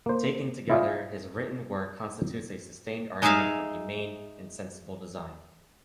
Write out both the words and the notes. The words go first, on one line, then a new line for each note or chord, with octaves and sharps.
Taken together, his written work constitutes a sustained argument for humane and sensible design.
A#3 C5
E4 F4 G#4 D5 E5 F5
G#3 D#4 G#4 E5 F5 G#5